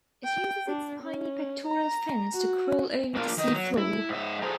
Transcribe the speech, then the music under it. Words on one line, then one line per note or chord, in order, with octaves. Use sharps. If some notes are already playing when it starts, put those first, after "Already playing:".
It uses its spiny pectoral fins to crawl over the sea floor.
G5
D4
C#4
A#5
F#4
A#3 D4 F4 D5
D#3 D#5
F#3
E4
G#2 E5
G#4 A4 C5 D5 G#5 A#5